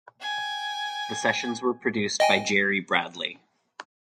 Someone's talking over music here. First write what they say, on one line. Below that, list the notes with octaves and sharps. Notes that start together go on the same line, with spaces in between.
The sessions were produced by Jerry Bradley.
G5 G#5
D#5 G5 G#5